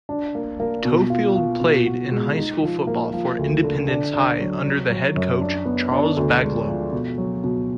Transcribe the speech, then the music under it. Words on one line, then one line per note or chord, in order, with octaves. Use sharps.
Toefield played high-school football for Independence High under head coach Charles Baglio.
D4
A#3
A#3
B2
F4
F4
B2
F#4
G#3
D#4
F3
A#3
F3
D2
D3
D4
D4
F#3
F#3
F#3
F#2
D4
B3
D4
D2
G#3
F3
B2
F#3
B2